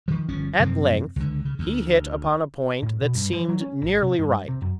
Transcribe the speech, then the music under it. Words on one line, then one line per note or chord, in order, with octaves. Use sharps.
At length he hit upon a point that seemed nearly right.
D#3 F3
G1 F3 C#4
F#2 C3 F3 C4
C#2 D3
C#3
D2
A2
B2
G2
F3
F#3
C#4
G#1
C3
G2
C3
F#2